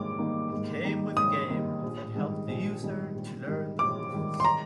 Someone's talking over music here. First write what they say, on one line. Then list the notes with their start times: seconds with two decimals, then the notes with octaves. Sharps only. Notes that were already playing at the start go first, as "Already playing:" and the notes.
It came with a game that helped the user to learn the chords.
Already playing: G#2 D#3 G3 A#3 D6
0.18 D#3 G3 A#3 D#4
0.52 G#2
0.84 D#3 G3 A#3 D#4
1.17 G#2 D#6
1.50 D#3 G3 A#3 D#4
1.82 A#1
2.15 G#2 D#3 G3
2.48 A#1
2.81 G#2 D#3 G3
3.14 A#1
3.46 G#2 D#3 G3
3.79 A#1 D6
4.12 G#2 D#3 G3
4.40 C6
4.45 A#5